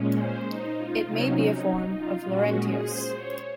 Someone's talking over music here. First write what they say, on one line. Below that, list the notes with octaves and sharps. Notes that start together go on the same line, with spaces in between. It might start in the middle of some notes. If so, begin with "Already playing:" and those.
It may be a form of "Laurentius".
Already playing: A#2 G#3 C#4
C5
D#4
F4
C3 F#3 C#4 D#4
F4
A#2 G#3 C#4 F#4
G#4
C5
C#5